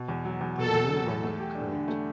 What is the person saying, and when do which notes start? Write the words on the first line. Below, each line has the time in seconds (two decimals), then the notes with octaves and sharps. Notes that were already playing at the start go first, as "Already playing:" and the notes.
They are no longer current.
Already playing: B2
0.09 E2
0.25 F#3
0.41 E2
0.58 B2 A4
0.73 E2
0.91 F#3
1.07 E2
1.23 A3
1.39 G4
1.55 D4
1.72 D3
1.88 A3